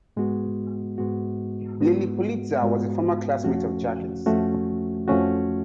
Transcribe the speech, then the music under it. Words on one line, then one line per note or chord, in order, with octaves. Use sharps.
Lilly Pulitzer was a former classmate of Jackie's.
G#2 G#3 B3 F#4
G#2 G#3 B3 F#4
G#2 G#3 B3 F#4
G#2 G#3 B3 F#4
F2 F3 A3 C#4 F#4
F2 F3 A3 C#4 F#4
F2 F3 A3 C#4 F#4